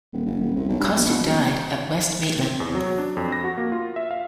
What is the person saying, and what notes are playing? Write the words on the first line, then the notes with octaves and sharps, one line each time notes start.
Cosstick died at West Maitland.
D#1
F#1
D#1
C2
B1
G2
A#1
B2
F#1
C4
E2
F#3
D4
F2
A#6
F#4
A#3
F4
E5
F5